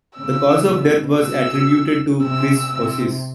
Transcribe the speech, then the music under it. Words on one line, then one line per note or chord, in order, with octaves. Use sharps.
The cause of death was attributed to cirrhosis.
C#3 E6
B2
B2 E6
C3 E6
C3